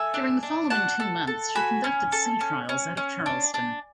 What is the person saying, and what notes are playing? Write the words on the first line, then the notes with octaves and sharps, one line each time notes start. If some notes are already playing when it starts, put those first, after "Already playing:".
During the following two months, she conducted sea trials out of Charleston.
Already playing: A4 E5 G#5
D4
D4
F#4 F#5 A5
A4
A4
F#4 G#5 B5
C#4
A4
C#4
C#4
C#4
D4
D4